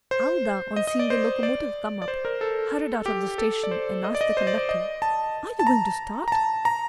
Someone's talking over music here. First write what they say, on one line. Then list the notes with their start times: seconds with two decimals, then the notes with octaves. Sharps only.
Aouda, on seeing the locomotive come up, hurried out of the station, and asked the conductor, "Are you going to start?"
0.11 C5
0.76 D#5
0.87 D#5
0.99 D5
1.10 C5
1.43 D5
2.02 D5
2.08 C5
2.25 A#4
2.41 A4
3.06 G4
3.38 A4
3.63 D5
3.71 C5
4.04 D#5
4.15 D5
4.21 D#5
4.37 C5
4.47 D5
4.58 D5
4.69 D#5
5.02 A5
5.59 A5
5.67 A#5
6.28 A#5
6.32 A5
6.65 A#5